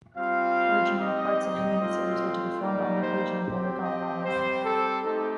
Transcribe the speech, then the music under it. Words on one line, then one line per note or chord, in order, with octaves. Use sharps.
Originally, parts of the miniseries were to be filmed on location in Boulder, Colorado.
G3 C4 F4 F5
C4 D#4 G4 D#5
A3 C4 F4
G3 A#3 D#4 G4 D5
C5
C4 G4 C5
D#5
G3 C4 G4 C5
A4
A3 C4 D#4 G4 A4